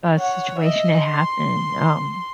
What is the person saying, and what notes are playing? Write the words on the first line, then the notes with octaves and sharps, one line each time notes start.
uh, situation that happened, um,
C#5 F#5
D#5 E5
C6